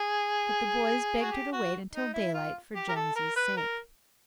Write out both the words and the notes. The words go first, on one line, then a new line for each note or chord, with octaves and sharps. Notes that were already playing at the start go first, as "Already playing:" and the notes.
But the boys begged her to wait until daylight for Jonesy's sake.
Already playing: G#4
F#4
G4
F#4
D#4
E4
F4
G4
A#4
A4
A#4
B4
A#4